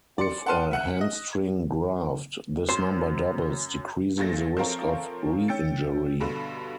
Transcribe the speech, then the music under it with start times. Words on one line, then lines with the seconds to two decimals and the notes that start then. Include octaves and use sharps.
With a hamstring graft, this number doubles, decreasing the risk of re-injury.
0.18 D5 C6 C#7
0.46 F#5 G5 A5 C6 F6 D#7
0.71 E5 F#5 F#6
1.01 D#5
2.69 F#2 C5
4.18 A#1 A#2 A3 A6 A#6
4.57 F3 A3 C4 F4 A#4 C#5
5.48 C#4 G5 E6 A6 C#7
6.20 G2 B2 D3